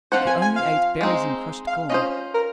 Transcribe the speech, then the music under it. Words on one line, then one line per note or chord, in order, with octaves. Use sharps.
She only ate berries and crushed corn.
F3 C4 F4 C5 F#5
G#5
G#5
F5
G#3 C4 D#4
F5
C#4 F4 C5 D#5
A#4